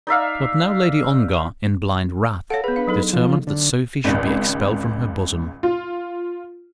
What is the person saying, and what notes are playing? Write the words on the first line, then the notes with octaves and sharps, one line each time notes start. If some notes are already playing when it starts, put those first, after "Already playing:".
But now Lady Ongar, in blind wrath, determined that Sophie should be expelled from her bosom.
D#4 D5 E5 F5
A4 C#5 F5 F#5
B3 G#4 B4
D4 F5
F#3 D#4 A4
F3
D3
G#1 C#2
F4